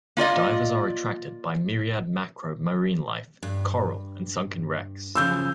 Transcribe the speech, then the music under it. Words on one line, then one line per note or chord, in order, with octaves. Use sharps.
Divers are attracted by myriad macro marine life, coral and sunken wrecks.
A#3 F4 D5 D#5
G2
C#3 F3 F#3 E6 G6